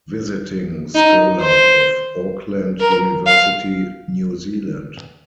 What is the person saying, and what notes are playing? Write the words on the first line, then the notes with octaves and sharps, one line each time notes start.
Visiting Scholar of Auckland University, New Zealand.
D#4
C5
A#4
F5